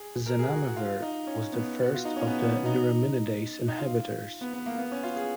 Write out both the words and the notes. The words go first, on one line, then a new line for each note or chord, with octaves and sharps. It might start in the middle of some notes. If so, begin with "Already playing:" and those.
Zanamivir was the first of the neuraminidase inhibitors.
Already playing: G#4
A#4
G#4
F#4
F#4
F4
D#4
C#4
B3
F#4
F4
D#4
C#4
B3
B3
C#4
D#4
D#4
F4
B3
B3
A#3
B3
C#4
F4
G#4